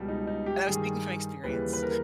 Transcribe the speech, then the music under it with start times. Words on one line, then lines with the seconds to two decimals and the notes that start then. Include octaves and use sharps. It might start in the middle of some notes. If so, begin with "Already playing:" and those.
and I was speaking from experience.
Already playing: C#2 B2 G3
0.08 D#4
0.27 D#4
0.46 G4
0.66 G2 D#3 G3 G#4
1.44 D#2 C#3 E3 G3 B4
1.73 B4
1.82 A#4